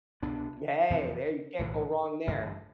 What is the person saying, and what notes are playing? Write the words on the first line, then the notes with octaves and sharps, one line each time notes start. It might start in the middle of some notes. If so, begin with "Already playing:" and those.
Hey. There you can't go wrong there.
C2 B2 B3 D4
E2 C3 F3 C4
B1 A2 E3
A1 G2 D3 A3